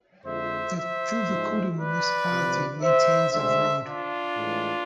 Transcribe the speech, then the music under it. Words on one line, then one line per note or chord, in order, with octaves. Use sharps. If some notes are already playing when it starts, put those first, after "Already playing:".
The Thuvakudi municipality maintains of road.
F2 D3 F3 G#3 C5 E5
C5 E5
G#2 F3 G#3
B4 D5
C2 C3 F3
C5 E5
D2 D3 G#3 C5 E5
D4 F4
A2 E3 G#3